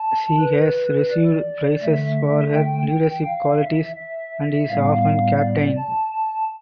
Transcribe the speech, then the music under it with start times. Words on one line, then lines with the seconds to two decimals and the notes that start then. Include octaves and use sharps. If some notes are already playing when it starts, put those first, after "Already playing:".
She has received praise for her leadership qualities and is often captain.
Already playing: A5
0.39 B4
1.11 D5
1.82 D3 A3 E5
2.54 G5
3.26 F5
3.62 E5
3.97 E5
4.68 A2 G3 B3 F5
5.40 D5
5.77 A5
6.12 A5